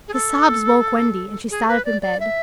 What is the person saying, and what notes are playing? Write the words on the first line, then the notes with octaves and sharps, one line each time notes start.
His sobs woke Wendy, and she sat up in bed.
G#4
A4
G#4
B4
D5
D5
E5